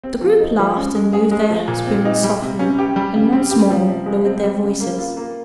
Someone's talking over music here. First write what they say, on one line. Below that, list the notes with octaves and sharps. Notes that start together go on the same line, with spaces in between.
The group laughed, moved their spoons softly, and once more lowered their voices.
C4
F3
D#4
F3
C#4
G#3
G#4
G#3
F3
A#2
C4
D#4
G3
C3
C#4
G4
G3
C#3
C4
G4
F3
C3
G#3
C4
G3
C#3
A#3
F4
A#3